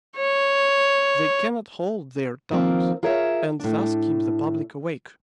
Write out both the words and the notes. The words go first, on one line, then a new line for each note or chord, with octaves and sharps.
They cannot hold their tongues, and thus keep the public awake.
C#5
D#3 F3 A#3 C4 A#4
F4 G#4 A#4 C#5 D5 E5
A2 D4